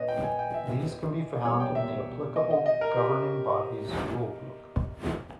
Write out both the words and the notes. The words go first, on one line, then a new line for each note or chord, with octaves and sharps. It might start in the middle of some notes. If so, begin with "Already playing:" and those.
These can be found in the applicable governing body's rule book.
Already playing: A#2 A#3 C#4 B4 C#5 D#5
G5
G#5
G5
E5
B2 G3 A#3 C#5
G5
E5
D#5
D#5
D#5
A#4
G4